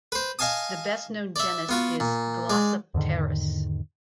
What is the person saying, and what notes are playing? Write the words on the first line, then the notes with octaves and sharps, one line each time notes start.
The best known genus is "Glossopteris".
B4 C5
D#5 F5 G#5 A5 D#6
D5 E5
B3 F4 F#4
A#2
G#3 D5
E2 G#2 D3 D#3